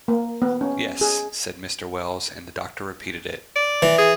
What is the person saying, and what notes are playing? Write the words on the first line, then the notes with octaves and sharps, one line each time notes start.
"Yes," said Mr. Wells, and the doctor repeated it.
A#3
B3
C#4
G#4
D5
E3
G#4